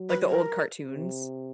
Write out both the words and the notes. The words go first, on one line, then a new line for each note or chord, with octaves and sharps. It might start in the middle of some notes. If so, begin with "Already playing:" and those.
Like, the old cartoons.
Already playing: F#3
B4
A#4
C3